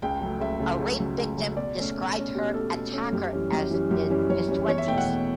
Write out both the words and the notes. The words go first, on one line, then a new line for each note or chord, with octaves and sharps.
A rape victim described her attacker as in his twenties.
C#2 G5
C#3 F#3 A3
C#2 E5
C#3 F#3 A3
C#2
C#3 F#3 A3
C#2
C#3 F#3 A3
B2 D5
A3 C#4
B2
A3 C#4
B2 G4
A3 C#4 A4
B2 A4
A3 C#4
F#2 G4
E3 G3 C#4
F#2 G4
E3 G3 C#4
F#2 G4
E3 G3 C#4
F#2 C#5
E3 G3 C#4
E2 C#5
E5
B2 A3 G5
F#5
E2